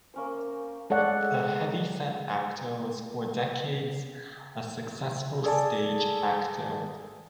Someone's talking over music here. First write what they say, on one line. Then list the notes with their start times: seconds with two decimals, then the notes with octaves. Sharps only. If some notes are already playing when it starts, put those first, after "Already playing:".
The heavy-set actor was for decades a successful stage actor.
0.14 A#3 C#4 C5
0.90 G#3 A4 C#5 D5 F#5
5.44 G#4 A4 D5 G#5 A5